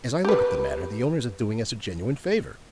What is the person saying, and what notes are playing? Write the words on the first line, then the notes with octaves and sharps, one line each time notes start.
As I look at the matter, the owners are doing us a genuine favor.
G4 B4